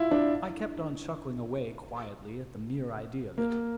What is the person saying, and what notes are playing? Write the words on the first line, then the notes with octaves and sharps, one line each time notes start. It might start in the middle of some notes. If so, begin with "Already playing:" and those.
I kept on chuckling away quietly at the mere idea of it.
Already playing: E4 F4
D4
A#3